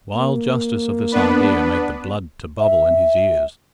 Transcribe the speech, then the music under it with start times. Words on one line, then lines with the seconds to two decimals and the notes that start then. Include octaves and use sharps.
The wild justice of this idea made the blood to bubble in his ears.
0.15 A#3
1.12 B3 D4 B4
2.59 E5